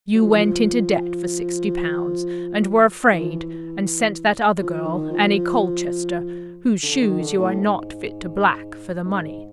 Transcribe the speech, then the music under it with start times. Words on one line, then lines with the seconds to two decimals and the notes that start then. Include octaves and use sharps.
You went into debt for sixty pounds, and were afraid, and sent that other girl, Annie Colchester, whose shoes you are not fit to black, for the money.
0.15 F#3
0.22 F3
0.30 E3
0.36 F3
3.12 E3
3.20 F3
3.30 E3
4.60 F3
4.85 D#3
5.10 F3
6.83 D3
7.01 D#3
7.19 D3
7.38 A2
7.57 G#2
9.05 G#2